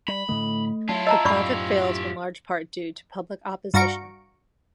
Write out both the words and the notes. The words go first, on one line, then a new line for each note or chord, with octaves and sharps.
The project failed in large part due to public opposition.
G3 B5
A2 D3 A3
F#3 E4 F4 A5
D#5 A5 A#5 E6
F#2 A2 F4 G4 D5 B5 C#6
G2 F#4 F5 A#5 C#6 D7